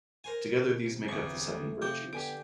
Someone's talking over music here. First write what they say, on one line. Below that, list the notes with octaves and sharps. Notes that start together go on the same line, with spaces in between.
Together these make up the seven virtues.
A#4 C5 G#5
C3
G1 E2 C#6
A3
C3 F3 G5 D6 G6
D3 B3 G4 G#5 D7